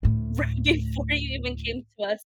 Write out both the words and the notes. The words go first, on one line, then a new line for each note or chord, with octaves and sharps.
right before you even came to us.
D2 A2